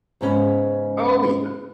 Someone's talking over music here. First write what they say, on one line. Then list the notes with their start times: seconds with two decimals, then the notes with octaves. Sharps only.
Oh, yeah.
0.21 G#2 C#3 B3 C#4